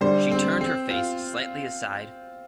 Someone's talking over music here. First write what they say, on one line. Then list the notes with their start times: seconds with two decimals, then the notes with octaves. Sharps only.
She turned her face slightly aside.
0.01 D3 G3 C5
0.31 C4
0.61 C4
0.90 F4